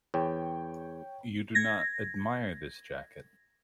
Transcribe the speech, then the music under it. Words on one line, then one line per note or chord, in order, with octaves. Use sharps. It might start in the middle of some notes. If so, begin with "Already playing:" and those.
You do not admire this jacket?
E2 C#5 G5
G#6 A#6